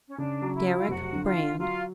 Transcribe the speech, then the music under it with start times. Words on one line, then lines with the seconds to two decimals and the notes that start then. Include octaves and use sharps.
Deryck Brand.
0.08 C#4
0.18 C#3 D4
0.42 F#3
0.54 E4
0.65 F#3
0.77 F4
0.89 F1 F#4
1.12 D3
1.25 F4
1.36 D3
1.59 F#3 F4